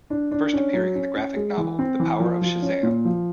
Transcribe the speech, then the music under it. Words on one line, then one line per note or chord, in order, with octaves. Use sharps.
First appearing in the graphic novel The Power of Shazam!
D4
D4
C#4
F#3
C#4
C#4
G#3
E3
C4
E3
F3
F3
C#4
A#2
F3